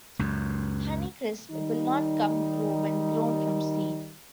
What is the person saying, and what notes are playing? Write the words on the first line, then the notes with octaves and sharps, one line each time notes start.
Honeycrisp will not come true when grown from seed.
C#2 F#2
D#3 G3 D#4